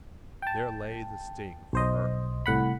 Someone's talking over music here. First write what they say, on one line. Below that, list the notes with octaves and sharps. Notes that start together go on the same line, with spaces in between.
There lay the sting for her.
G5 A5
B1 C5 D#5
C2 A2 F#5 B5